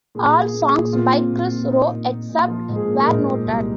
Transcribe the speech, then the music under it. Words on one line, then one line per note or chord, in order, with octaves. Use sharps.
All songs by Kris Roe except where noted.
A#2 G#4
A#3
G#4
A#3
G#4
A#2
A#2 F4
C4
A#2
A#2
A#3 D#4
A#2
A#2
A#2
F3 F4
G#2
G#4
A#3
A#4
G#2
A#2
C2